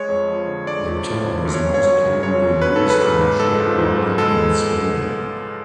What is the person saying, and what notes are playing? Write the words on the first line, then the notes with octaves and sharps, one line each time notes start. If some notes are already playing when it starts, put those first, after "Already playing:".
The term is most commonly used in track running and swimming.
Already playing: G#3 C#5
F2
F3
D3
G#3 D5
F2
F3
D3
F#2
C#5
F#2
C#5
F#3
C#3
F#2 C#5
F#2
F#3 B4
A4
C#3
B4
G#2
G#2
G#3 A4
F3
G#2
G#2
G#3 A4